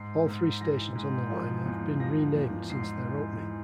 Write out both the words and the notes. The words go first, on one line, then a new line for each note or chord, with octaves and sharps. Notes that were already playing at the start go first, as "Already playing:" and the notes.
All three stations on the line have been renamed since their opening.
Already playing: G#2 C7
G#2
E3 A#6
G#2
F3
E2
F3 A#6
E2
G#2 C7
E3
E3